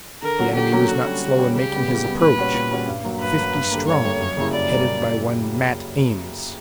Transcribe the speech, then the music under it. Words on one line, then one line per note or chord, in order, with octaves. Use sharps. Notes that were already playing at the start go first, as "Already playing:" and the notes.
The enemy was not slow in making his approach--fifty strong, headed by one Mat Ames.
D3 A#4
F#3 A#3 C#4 F#4
D3 G4
F#3 A#3 C#4 F#4
D3 F#4
G3 C#4
D3
G3 C#4
C#3 G4
G3 B3
C#3
G3 B3
A#2 B4
G3 C#4 F#4 C#5
A#2
G3 C#4 F#4 C#5
G2
F#3 A#3
G2 B4
F#3 A#3
G2
D3 G3 A#3
G2 C#5
D3 G3 A#3
F#2
C#3 G3 A#3 E4
F#2 D5
C#3 G3 A#3